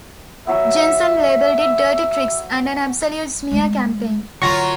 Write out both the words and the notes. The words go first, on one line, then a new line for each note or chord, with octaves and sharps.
Jensen labelled it "dirty tricks" and an "absolute smear campaign".
F#3 B3 E5
G#3 A3
D3 F#3 E4 F4 A#4 C#6 A#6